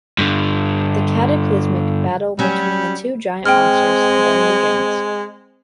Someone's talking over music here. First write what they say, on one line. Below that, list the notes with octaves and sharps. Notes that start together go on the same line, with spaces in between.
The cataclysmic battle between the two giant monsters then begins.
G2 D3
F#3 G3 C#4
G#3 C4 G5 F6